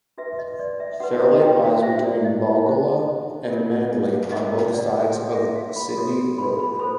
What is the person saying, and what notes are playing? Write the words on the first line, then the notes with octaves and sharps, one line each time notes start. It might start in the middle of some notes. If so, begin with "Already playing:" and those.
Fairlight lies between Balgowlah and Manly on both sides of Sydney Road.
F#4 B4 E5
D#5
D5
E5
F#4 B4 F#5
F#5
G5
F5
E4 G4 C5 E5
D5
D#5
E4 G4 C5
F4 A#4 C#5
F4 A#4 C#5 D#5
D5
F#4 A4 C#5
E5
F5
B5
F#4 A4 C#5
B5
B5
F4 A4 C5 B5